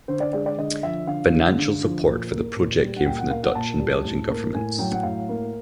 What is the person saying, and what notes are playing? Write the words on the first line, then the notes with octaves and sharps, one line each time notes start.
Financial support for the project came from the Dutch and Belgian governments.
D3 C5
D5
G#3 D5
D5
D3 D#5
F3 E5
D3 F5
G#3
D3
F3
A#2
A#3
A#2
G3
F#5
A#2 G5
F#5
A#3 F5
F#5
A#2 A5
G3
A2
A#3
A2 G#5
F#3 G5
F#5
A2 F5
A#3